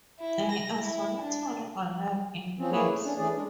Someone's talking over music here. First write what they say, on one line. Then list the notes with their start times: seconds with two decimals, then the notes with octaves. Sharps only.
They are solitary or live in pairs.
0.19 E4
0.51 A#6
0.81 E4
1.23 D4
2.59 F3 C4 C#4
2.72 A#3 E4 G#4 B4 C#5
2.90 A3
3.03 C#4 D4
3.18 E3 A3 C#4 G#4 D5
3.34 G#3 D4